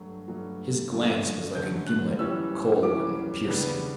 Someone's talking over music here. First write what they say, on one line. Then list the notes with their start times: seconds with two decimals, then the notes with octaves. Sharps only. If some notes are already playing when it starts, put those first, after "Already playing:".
His glance was like a gimlet, cold and piercing.
Already playing: G2 F#3 A3
0.28 G2 F#3 A3
0.92 F#2 D3 A3
1.55 F#2 D3 A3 G6
1.87 F#6
2.19 F#2 E3 G3 C#4 E6
2.83 F#2 E3 G3 C#4 D6
3.47 C#3 G3 B3 D4